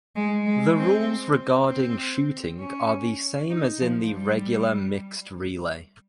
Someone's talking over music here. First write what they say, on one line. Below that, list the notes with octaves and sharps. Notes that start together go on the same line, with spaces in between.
The rules regarding shooting are the same as in the regular mixed relay.
G#3
G#3
C4
C4
C#4
D#4
F3
G3